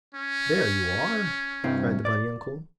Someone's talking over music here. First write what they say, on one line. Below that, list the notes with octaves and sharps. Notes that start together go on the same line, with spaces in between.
"There you are!" cried the bunny uncle.
C#4
C2 G2 C4
D5